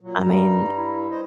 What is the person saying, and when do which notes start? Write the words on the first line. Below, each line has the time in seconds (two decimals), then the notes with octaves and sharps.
I mean,
0.01 A#2 F#3
0.22 G2 G3 A#5
0.77 E4
1.11 C5 D#5